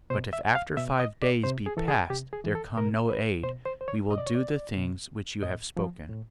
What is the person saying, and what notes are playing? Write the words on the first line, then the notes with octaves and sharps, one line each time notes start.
But if after five days be past there come no aid, we will do the things which you have spoken.
B2 C5
E5
F5
B2 E5
D#5
D5
C3 C5
G#4
E3 A4
G#4
C3 G4
G#4
E3
A4
B2 A#4
B4
B2 C5
C5
C5
C#5
B2 D#5
D5
C#5
D5
B2
A2 D#5
F3
A2